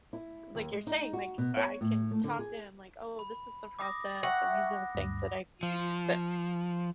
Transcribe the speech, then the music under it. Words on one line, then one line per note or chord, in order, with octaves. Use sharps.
like, you're saying. Like, I can talk to him like, "Oh, this is the process and these are the things that I've used." That
E4
D#2
G#3
D#4
F#4
B2
C#5
A2
A3
D3
G#4
B5
D6 D#6 A#6
E5 F#5 G5 C#6 A#6
D2 G2
F3